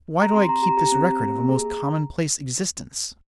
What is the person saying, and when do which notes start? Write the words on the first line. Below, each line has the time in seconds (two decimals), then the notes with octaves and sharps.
Why do I keep this record of a most commonplace existence?
0.20 G4 A#5
0.34 C4 C6
0.48 C4 A#5
0.63 G4 A#5
0.77 G4 A#5
0.92 C4
1.06 C4
1.20 G4
1.35 A#3
1.49 G#4